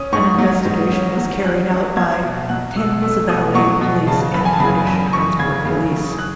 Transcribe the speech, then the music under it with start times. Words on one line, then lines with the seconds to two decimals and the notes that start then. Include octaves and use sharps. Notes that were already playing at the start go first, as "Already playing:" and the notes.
An investigation was carried out by Thames Valley Police and British Transport Police.
Already playing: C#4 D#6
0.12 G#2 C#6
0.38 F#3
0.65 G#2
0.92 C#4
1.17 F#3
1.44 C#4 F#6
1.71 C#4
1.96 F#3 G#6
2.23 B2
2.49 F#3 F#6
2.76 B2 E6
3.02 A3 E6
3.29 B2 D#6
3.54 F#3 C#6
3.81 B2
4.07 C#3 A5
4.34 F#2 B5
4.45 G#5
4.53 A5
4.60 C#3 B5
4.87 F#2 B5
5.13 F#2 C#6
5.39 C#3 G#6
5.65 C#3
5.92 F#2
6.19 F#6